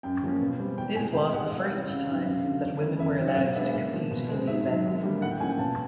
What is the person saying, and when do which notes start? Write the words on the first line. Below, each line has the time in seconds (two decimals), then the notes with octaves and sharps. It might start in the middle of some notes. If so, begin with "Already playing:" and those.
This was the first time that women were allowed to compete in the events.
0.03 F#2 G5
0.21 C#3 F3 A#3 C#4
0.40 B2
0.59 G3 C4
0.77 E2 G5
0.96 C3 E3 G#3 G#5
1.14 C2 G5
1.33 C3 D#3 G#3 F#5
1.51 C3 F5
1.70 E3 G3 F5
1.88 C#2
2.07 C3 D#3 F#3 B3
2.25 F#2 F5
2.44 D3 F#3
2.63 E2
2.81 C#3 E3 A3
3.00 F#2 E5
3.18 D#3 F#3
3.28 F#5
3.37 B2 F5
3.56 G#3 B3 D4 E5
3.73 A#2
3.93 F3 A#3
4.11 B2
4.29 G#3 C4
4.47 G#2 E5
4.66 D#3 F#3
4.85 D#2
5.03 D3 G3 A#3 D4
5.22 A2 F#5
5.31 G5
5.40 F3 A#3 C#4 G#5
5.50 G5
5.58 B2 A5